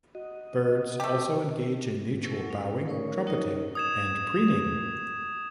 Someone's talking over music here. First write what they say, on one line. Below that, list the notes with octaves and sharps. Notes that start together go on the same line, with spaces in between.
Birds also engage in mutual bowing, trumpeting, and preening.
F#4 D#5
A3 G4
F#3 E4 A4 B4 F#5 C#6
C#4
A3 D#4 A#4 C#5 D5 C#6
D#4 F#4 A#4 C5 C#5 D#5
D#6 G#6 E7